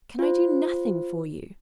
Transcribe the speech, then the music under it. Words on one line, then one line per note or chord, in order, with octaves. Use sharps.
Can I do nothing for you?'
F4 C5